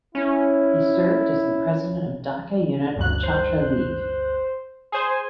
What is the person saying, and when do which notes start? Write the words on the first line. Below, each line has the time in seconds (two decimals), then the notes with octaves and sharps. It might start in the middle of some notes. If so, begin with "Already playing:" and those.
He served as the president of Dhaka unit of Chatra league.
0.15 C#4 E4
2.96 G1 D2 F#6
3.23 C5
4.92 G#4 C5 G#5